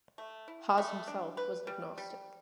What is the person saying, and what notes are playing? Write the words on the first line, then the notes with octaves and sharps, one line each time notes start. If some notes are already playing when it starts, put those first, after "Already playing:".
Has himself was agnostic.
A3
E4
A3
D4
B4
G3
G3